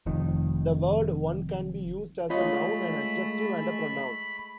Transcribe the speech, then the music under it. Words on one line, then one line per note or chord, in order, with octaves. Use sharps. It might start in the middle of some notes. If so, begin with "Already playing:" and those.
The word one can be used as a noun, an adjective and a pronoun.
F1 F2 D#3
G#3 A3 F4 C#5 D#5 B5